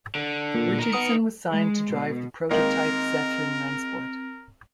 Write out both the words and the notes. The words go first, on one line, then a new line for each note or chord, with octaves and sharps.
Richardson was signed to drive the prototype Zethrin Rennsport.
D3
A#2
D#4 A#4
B3 D#6 C#7
G#3
B2
D#3 G#3 A#3 C4 A#4